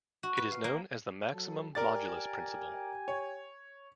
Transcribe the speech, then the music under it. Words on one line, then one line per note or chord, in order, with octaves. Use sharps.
This is known as the maximum modulus principle.
F#4
B4
F5
A#3
F#3 A4
G4 A#4 D5 G5 G#5 A6
C#5